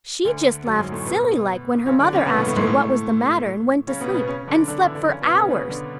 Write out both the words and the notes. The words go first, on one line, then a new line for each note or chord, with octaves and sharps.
She just laughed silly-like when her mother asked her what was the matter and went to sleep and slept for hours.
D2 D3
F#2 F#3
G#2 G#3
A2 A3
B2 B3
C#3 C#4
D3 D4
C#3 C#4
B2 B3
A2 A3
A2 A3
G#2 G#3
A2 A3
C#3 C#4
B2 B3
B2 B3
C#3 C#4
D3 D4
D3 D4
E3 E4
D3 D4
C#3 C#4
B2 B3
C#3 C#4
B2 B3
D3 D4